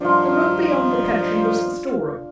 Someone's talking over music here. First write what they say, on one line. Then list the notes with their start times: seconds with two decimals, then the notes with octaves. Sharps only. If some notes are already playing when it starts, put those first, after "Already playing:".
The room beyond the pantry was the storeroom.
0.01 G2 D#3 F3 D4 F4